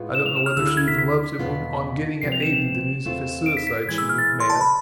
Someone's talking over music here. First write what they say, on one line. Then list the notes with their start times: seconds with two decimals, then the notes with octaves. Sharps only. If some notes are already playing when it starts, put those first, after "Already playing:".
I don't know whether she even loved him when, on getting, at Aden, the news of his suicide she went mad.
Already playing: A2 G#3 B3 F4
0.15 E7
0.26 F7
0.36 E7
0.46 F6
0.56 D2 D3 A3 E4 E6
0.67 F6
0.77 G#6
0.88 B6
0.98 B6
1.39 E2 B2 B3 F4
2.22 D2 C3 F3 B3 C7
2.32 F7
2.42 E7
2.53 E7
3.06 E2 B2 A3 C4 F4
3.46 D7
3.57 B6
3.67 B6
3.78 B6
3.88 A2 E3 G#3 G#6
3.98 E6
4.09 F6
4.18 A6
4.40 C6
4.50 A5
4.61 B5